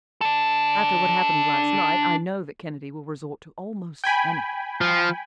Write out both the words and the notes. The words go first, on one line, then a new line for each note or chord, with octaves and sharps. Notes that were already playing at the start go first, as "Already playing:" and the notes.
"After what happened last night I know that Kennedy will resort to almost anything."
D4 A4
G5 G#5 B5
F3